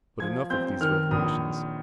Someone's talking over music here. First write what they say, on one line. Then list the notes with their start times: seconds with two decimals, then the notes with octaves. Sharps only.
But enough of these revelations.
0.20 F3 G#6
0.50 C4 G6
0.81 D#3 F6
1.11 A#1 D#6